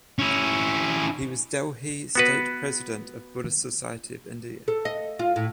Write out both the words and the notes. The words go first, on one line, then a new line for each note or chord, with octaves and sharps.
He was Delhi state president of Buddhist Society of India.
C#4 E4
B3 F#4 B4
A4
D#5
F4
A2